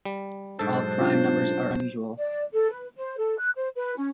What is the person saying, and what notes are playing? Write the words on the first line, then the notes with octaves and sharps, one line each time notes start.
All prime numbers are unusual.
G3
G#2 B2 F#3 D4 A4 C5
C#4 F4
D5
A4
B4
C5
A4
F#6
C5
B4
C#4